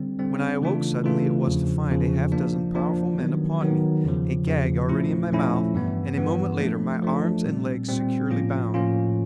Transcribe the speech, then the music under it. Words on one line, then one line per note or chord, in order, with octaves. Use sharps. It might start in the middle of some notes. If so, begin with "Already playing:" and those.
When I awoke suddenly it was to find a half-dozen powerful men upon me, a gag already in my mouth, and a moment later my arms and legs securely bound.
Already playing: D3 G3 C4
D3 G3 C4
C#3 E3 A3 D4 F4
C#3 E3 A3 D4 F4
E2 C#3 F3
E2 C#3 F3
F3 A#3 D4
F3 A#3 D4
D#3 F#3 B3
D#3 F#3 B3
E2 C#3 F3
E2 C#3 F3
A#2 F3 A3 C#4 E4
A#2 F3 A3 C#4 E4
G2 E3 G3 B3
G2 E3 G3 B3
F3 A3 D4
F3 A3 D4
A#2 G3 C4
A#2 G3 C4
A2 F3 A#3 C#4 F4
A2 F3 A#3 C#4 F4